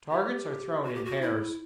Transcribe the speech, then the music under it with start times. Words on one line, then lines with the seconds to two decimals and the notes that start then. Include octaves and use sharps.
Targets are thrown in pairs.
0.11 G4
0.84 F#4
0.95 G4
1.05 F#4
1.22 E4